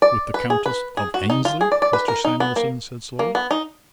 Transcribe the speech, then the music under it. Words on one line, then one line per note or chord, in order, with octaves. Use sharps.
"With the Countess of Aynesley?" Mr. Samuelson said slowly.
D5
B4
G#4
B4
G#4
F#4
D#4
F4
G#4
D5
D5
B4
A#4
D#4
B3
A#3
A#3
B3
D#4